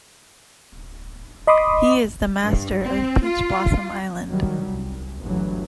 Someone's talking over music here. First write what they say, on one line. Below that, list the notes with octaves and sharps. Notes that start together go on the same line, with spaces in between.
He is the master of Peach Blossom Island.
D#5 B5 C6 D6 D#6
G2
C4
F4
D#3 F#3 G3
C2
G1 D2 G2 E3 F#3